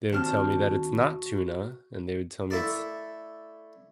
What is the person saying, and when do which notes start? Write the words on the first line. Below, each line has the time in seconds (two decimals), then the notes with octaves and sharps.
they would tell me that it's not tuna, and they would tell me it's
0.13 D#2 D3 C4 F#4 A5 F6 G6
2.51 A3 E4 A4 D5